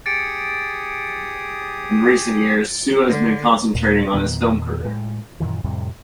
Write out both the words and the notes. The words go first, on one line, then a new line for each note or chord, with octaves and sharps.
In recent years, Su has been concentrating on his film career.
G4 G#4 D#6 A6 C#7 D7
D3
D#2 A#2
E2 A#2 D#3 B3
A2 G#3
F#2 A#2 D#3 E3
F2 A2 C3 G3